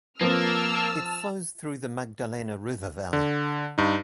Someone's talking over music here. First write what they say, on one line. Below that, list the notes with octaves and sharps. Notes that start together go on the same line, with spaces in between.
It flows through the Magdalena River Valley.
F3 A#3 C4 F4 B4 A5 E6 F6
D3
G2 D#4